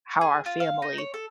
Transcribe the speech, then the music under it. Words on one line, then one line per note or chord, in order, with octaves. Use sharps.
how our family
G#4
F4
F5
D#4
C#5
A4